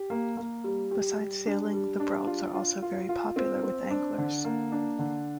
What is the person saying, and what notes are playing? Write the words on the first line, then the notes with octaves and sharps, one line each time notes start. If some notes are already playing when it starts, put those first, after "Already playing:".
Besides sailing, the broads are also very popular with anglers.
Already playing: G4
A#3
A#3
G3
G4
G3
D4
G3
D4
F4
F4
F4
F4
C4
C4
D4
D3
A#3
D4
D3